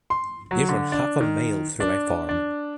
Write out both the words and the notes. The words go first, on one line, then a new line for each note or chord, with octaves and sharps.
They run half a mile through my farm.
C6
F#3
D3
D4
D#3
D4
D4